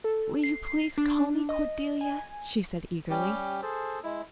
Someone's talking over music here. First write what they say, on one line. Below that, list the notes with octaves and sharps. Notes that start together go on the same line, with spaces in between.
"Will you please call me Cordelia?" she said eagerly.
A4
C7
D4
D#5
G#5
G3 C#4 G4
G#4 A4 C5
G#3 E4